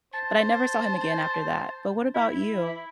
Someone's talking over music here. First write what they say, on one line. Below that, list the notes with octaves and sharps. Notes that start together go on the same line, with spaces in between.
but I never saw him again after that, but what about you?
C5 A5
E4